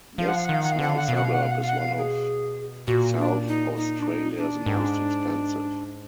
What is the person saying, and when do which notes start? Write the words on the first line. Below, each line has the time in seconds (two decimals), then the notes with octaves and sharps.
This small suburb is one of South Australia's most expensive.
0.18 F3 F5
0.28 F#5
0.37 F5
0.45 F#5
0.49 D#3
0.54 F5
0.63 F#5
0.72 F5
0.79 D3 F#5
0.89 F5
0.98 F#5
1.07 B2 F5
1.15 F#5
1.25 F5
1.34 F#5
1.43 F5
1.51 F#5
1.61 F5
1.69 F#5
1.78 F5
1.98 G#4
2.87 A#2 F#4
3.18 D4
3.47 D#4
3.77 D#4
3.99 D4
4.07 D#4
4.37 D4
4.66 G#2